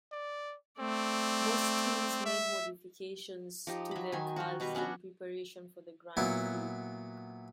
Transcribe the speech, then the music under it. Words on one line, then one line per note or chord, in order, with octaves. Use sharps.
Some teams made modifications to their cars in preparation for the Grand Prix.
D5
A3 C4 D5
E5
F3 D#4 G4
F#3 B5
D#3 G#5
F#4 A#4
B2 G3 B4 A#5
B3 C#4 D4 F#4
A#2 F#3 B3 E4